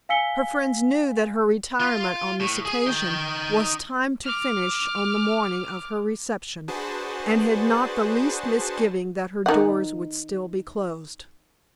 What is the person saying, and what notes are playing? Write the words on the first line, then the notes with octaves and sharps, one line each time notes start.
Her friends knew that her retirement on this occasion was timed to finish on the morning of her reception and had not the least misgiving that her doors would still be closed.
F5 G#5 E6 B6 C#7 G7
F4
A2
G#4
D#4 G5
D6 F6
D4 F#4 G#4 B4 C5 A5
D#3 F#5